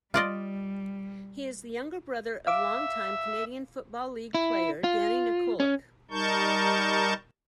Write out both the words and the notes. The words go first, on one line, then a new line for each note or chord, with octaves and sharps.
He is the younger brother of longtime Canadian Football League player Danny Nykoluk.
G3 F4 D5 D#5
E5 F5 D6
E4
F4
C#4
G3 D#4 A#4 A5 C#6 G6